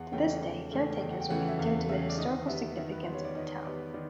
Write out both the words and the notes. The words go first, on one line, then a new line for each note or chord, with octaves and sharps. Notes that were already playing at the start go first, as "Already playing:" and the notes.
To this day, caretakers remain due to the historical significance of the town.
Already playing: E2 F#5
C#3 E3 A3 C#4 G5
E2
C#3 E3 A3 C#4
E2 G5
F#5
G5
C#3 E3 A3 C#4 F#5
E5
E2 F5
C#3 E3 A3 C#4 E5
D5
D#3 D#5
G3 B3 E5
D#3 E5
B4
G3 B3 C5
C#5
D5
D#3 D#5
G3 B3 D5
D#3 D5